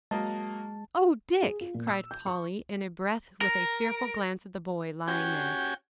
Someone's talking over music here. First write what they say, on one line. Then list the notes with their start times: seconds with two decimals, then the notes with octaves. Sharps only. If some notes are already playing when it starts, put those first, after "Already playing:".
"Oh, Dick!" cried Polly in a breath, with a fearful glance at the boy lying there.
0.11 F#3 G#3 A#3 D#5 A5
1.42 G#4
1.61 F4
1.74 A#2
1.87 E6
2.11 G6
2.26 C#6
3.41 A#4
5.08 C#4 F#4 G4 G5 G#5